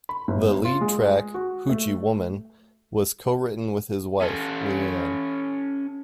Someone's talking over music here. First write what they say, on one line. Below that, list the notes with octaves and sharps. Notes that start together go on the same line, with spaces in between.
The lead track "Hoochie Woman" was cowritten with his wife, Leann.
B5
G1
F4
G#3
F#4
A3
C#4 A4